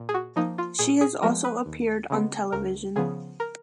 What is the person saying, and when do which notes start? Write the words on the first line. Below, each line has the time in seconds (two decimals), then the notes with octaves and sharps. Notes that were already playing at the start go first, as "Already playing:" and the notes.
She has also appeared on television.
Already playing: A#2
0.09 G#4
0.14 F#4
0.36 F3 A#3 D#4
0.58 F4
0.79 A#2 G#4
1.01 G#4
1.23 F3 G#3 B3 A#4
1.44 B4
1.66 D#2
2.10 C#3 G#3 B3
2.52 C#2 A#4
2.96 C#3 F3 B3 G#4
3.40 A#4